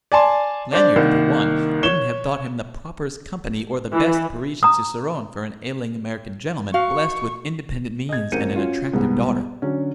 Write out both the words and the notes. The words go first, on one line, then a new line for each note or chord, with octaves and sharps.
Lanyard, for one, wouldn't have thought him the properest company or the best Parisian cicerone for an ailing American gentleman blessed with independent means and an attractive daughter.
D5 G#5 A5 C6
D4 C5 D5
C2 D#3 A#3
C#5 E7 G7
E3
A#5 D#6
F#4 F5 C#6
D#5 G#6
A1 C4 A#4 G6 C#7 D#7
C#4 F4 F#4
C2 G#2 B3
D3 F#3 C#4